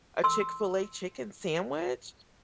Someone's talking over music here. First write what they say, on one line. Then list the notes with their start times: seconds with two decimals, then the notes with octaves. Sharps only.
a Chick-fil-A chicken sandwich.
0.24 C6 E6